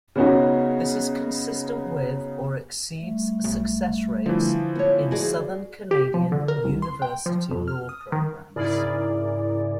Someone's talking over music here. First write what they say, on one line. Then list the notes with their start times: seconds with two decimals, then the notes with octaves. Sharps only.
This is consistent with or exceeds success rates in southern Canadian university law programs.
0.16 C#3 B3 C#4 D#4 F#4
3.00 G3 A3
3.44 B1
4.26 D3 E3 F3
4.75 G#3 B3 E4 C#5
5.11 F#4 G#4 D5
5.91 G4
6.14 F3
6.32 D3
6.48 A#4
6.64 C2
6.82 C6
7.02 G5
7.26 F3
7.51 F2
7.68 F6
7.89 D#6
8.12 D#3
8.56 G#2 C#3 E4 G#4 A#4 D5